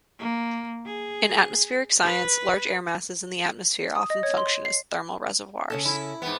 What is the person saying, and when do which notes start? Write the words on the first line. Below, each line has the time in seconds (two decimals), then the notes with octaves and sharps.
In atmospheric science, large air masses in the atmosphere often function as thermal reservoirs.
0.19 A#3
0.86 G#4
2.03 B4
3.95 D#6
4.10 D#5
4.23 C#5
4.37 C6
4.65 C7
5.70 C#3 C#4 A4
5.85 E4
6.22 G#2 B3